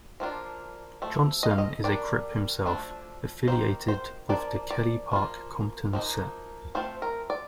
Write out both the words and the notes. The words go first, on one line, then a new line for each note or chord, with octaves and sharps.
Johnson is a Crip himself, affiliated with the Kelly Park Compton set.
F3 A#3 D4 F4
F3 A3
D#5
F5
D#5
G3 A#3 D4 D5
F3 A3 D4
D#3 A#3 F4 C5
C5
F3 A#3 D4 D5
D5
F3 A#3 F4
F3 A#3 D#4
A3 C4 F4 C5
A#4
D5